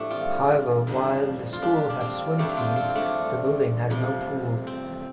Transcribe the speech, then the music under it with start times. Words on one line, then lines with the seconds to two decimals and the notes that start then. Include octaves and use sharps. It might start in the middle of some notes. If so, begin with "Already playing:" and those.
However, while the school has swim teams, the building has no pool.
Already playing: A2 F3 A3 D4 G4
0.10 C4 F4
0.87 F2 D3 F3
1.53 F4
1.62 D4 G4
1.90 D4
2.00 C4 F4
2.38 F2 F3 A3 D4
2.57 C4 F4
2.76 C4 F4
2.95 A3 D4
3.90 F2 C3 F3
4.67 C4